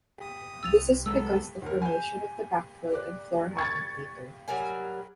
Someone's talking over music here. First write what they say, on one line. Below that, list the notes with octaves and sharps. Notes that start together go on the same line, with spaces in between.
This is because the formation of the backfill and floor happened later.
D#6
C2 E6 A6 F7
F#3 G#3 B3 A4 E6
D#2 A#4
G#5 G6
D5 D6 F#6
C#6 G#6 A6
F#3 G3 A#4 G#5